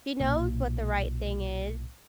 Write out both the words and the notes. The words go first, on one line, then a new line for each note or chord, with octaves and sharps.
she knows what the right thing is,
B1 A#2